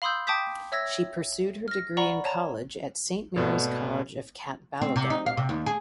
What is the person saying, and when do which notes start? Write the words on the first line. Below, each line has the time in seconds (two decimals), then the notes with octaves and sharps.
She pursued her degree in college at Saint Mary’s College of Catbalogan.
0.02 F5 B5 C6 D#6 E6 G6
0.27 G5 A5 D6 D#6 G6 B6
0.72 C#5 E5 E6 G#6 A#6
1.68 F6 A#6
1.97 D5 F#5 A#5 B5 C#6
2.24 C#5 A5 A#5
3.36 G#1 B2 A3
4.81 C4
4.96 C3
5.10 D#4
5.26 F5
5.37 C3
5.49 D#2
5.66 G#4